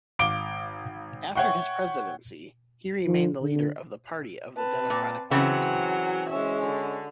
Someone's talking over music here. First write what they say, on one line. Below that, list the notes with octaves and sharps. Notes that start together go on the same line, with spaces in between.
After his presidency, he remained the leader of the Party of the Democratic Left.
G#1 F5 D6 D7 G7
C#5 E5 F#5 G5 C#6
F3
D3
C4 B4 A5
A#2
C#3 E3 F#3 C4 F#5 G#5
G#3 C#4 E5
D3